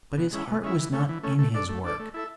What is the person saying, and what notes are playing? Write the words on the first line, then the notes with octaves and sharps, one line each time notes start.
But his heart was not in his work.
B2
G#3 C#4 E4
B2
G#3 C#4 E4
E3
A3 C#4
E3
A3 C#4
A3
D4 A4 D5
A3
D4 A4 D5
A3
E4 A4 E5